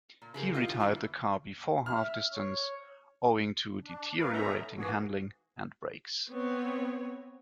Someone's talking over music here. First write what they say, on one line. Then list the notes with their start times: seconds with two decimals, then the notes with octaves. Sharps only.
He retired the car before half distance owing to deteriorating handling and brakes.
0.22 A#2
0.34 C#3 G#3 G4 A#4
0.54 F4 G4 D#5
0.68 F4 F#4
0.80 G2 D3 E3 A#3
1.86 E5 F6
2.33 C#5
3.84 D4
4.19 G3 A#4 B4 F5
4.32 A2 B3 C#4 D#4 E5 A#5
4.64 D3
4.78 G#2 B2 E3 A#3 F#4 G#4
6.30 B3 C4 C#5